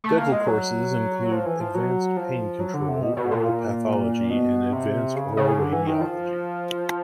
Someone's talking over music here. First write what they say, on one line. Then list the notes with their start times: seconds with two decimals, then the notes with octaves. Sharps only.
Dental courses include advanced pain control, oral pathology, and advanced oral radiology.
0.04 A3
0.18 A#3
0.32 G#3
0.47 F#3
1.32 F3
1.46 E3
1.60 F3
1.74 F#3
2.17 F3
2.60 F#3
2.74 D3
2.88 C3
3.02 B2
3.17 B2
3.31 A#2
4.30 B2
4.73 C3
5.15 C#3
5.37 C#3
5.58 D3
5.73 E3
5.87 D#3
6.01 F3